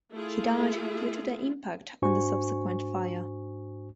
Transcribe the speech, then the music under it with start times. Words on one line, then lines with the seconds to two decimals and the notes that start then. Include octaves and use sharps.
He died due to the impact and the subsequent fire.
0.12 A3 E4 F4 G#4
2.02 G#2 D4 F#4 C5 G#5 C#6